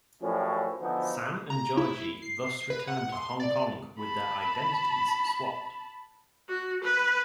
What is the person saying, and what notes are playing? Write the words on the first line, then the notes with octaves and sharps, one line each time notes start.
Sam and Georgie thus returned to Hong Kong with their identities swapped.
F#2 A2 F3 G3 C#4
D3 E3 F3 B3 D#4 F#4
A#5
E4
C7
B4
F#5
C6
D5
A5 B5
F#4
B4